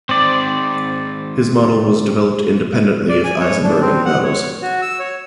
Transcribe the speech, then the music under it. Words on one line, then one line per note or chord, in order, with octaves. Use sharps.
His model was developed independently of Eisenberg and Noe's.
G#2 D#3 C4 D5
D5
G#5
C#5
D4
C4
F#5
C#5
F#4
E6
C#5